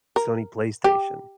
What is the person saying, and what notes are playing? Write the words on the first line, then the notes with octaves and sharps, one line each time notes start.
Sony PlayStation,
A#4
G4